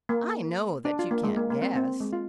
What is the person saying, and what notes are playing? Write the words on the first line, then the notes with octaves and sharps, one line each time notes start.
"I know that you can't guess."
A#3
D4
F4
A#3
G#3
A#3
A#3
C4
C4
G#3
F4